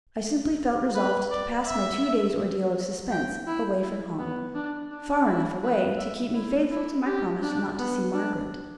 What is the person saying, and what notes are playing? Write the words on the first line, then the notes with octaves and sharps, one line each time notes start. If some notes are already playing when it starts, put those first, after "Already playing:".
I simply felt resolved to pass my two days' ordeal of suspense away from home--far enough away to keep me faithful to my promise not to see Margaret.
B4
D5
E5
G5
E4
E4
B3
D4
D4
E4
B4
E5
E4
E4
G4
D4
B3
D4